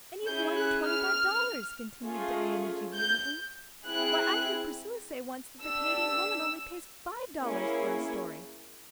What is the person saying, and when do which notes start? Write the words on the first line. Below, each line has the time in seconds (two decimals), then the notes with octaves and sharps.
"And you've won the twenty-five dollars," continued Diana jubilantly. "Why, I heard Priscilla say once that the Canadian Woman only pays five dollars for a story!"
0.25 C#4 E4 G#4 G6
0.55 F#6
0.85 F6
2.05 A3 C#4 F4 G#4
2.94 G6
3.83 C4 E4 G#4 F#6
5.61 D4 G4 E6
7.40 A#3 C#4 E4 G#4